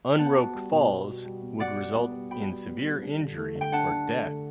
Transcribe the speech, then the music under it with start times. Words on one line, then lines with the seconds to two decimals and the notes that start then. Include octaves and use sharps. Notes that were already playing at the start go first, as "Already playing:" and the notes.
Un-roped falls would result in severe injury or death.
0.18 B3 F#5 A5
0.36 F#4
0.54 G3
0.72 B2
0.89 B3
1.07 F#4
1.25 G3
1.42 B2
1.60 F#4 D5 F#5
1.78 G3
1.96 B3
2.13 G3
2.31 F#4 G5 B5
2.48 G3
2.66 B3
2.85 G3
3.02 D4
3.20 D3
3.37 A3
3.55 D3
3.61 G5
3.72 D4 F#5 A5
3.91 D3
4.08 A3
4.26 D3